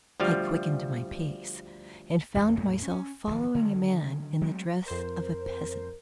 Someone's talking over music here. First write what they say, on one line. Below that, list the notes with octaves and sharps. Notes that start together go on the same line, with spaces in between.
I quickened my pace, and found myself following a man in the dress of a peasant.
D2 F3 G3 F5
A1 E2
E2 A2 A#3
C#4
D1 B1 D#3 F3
D3 D#3 F#3
F#3 G#3 A3 C4
F2 A#4 C5